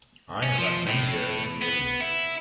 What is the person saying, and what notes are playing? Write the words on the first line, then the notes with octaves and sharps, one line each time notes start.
I have had many years in the elite.
C#4
F3
A2
B3
E4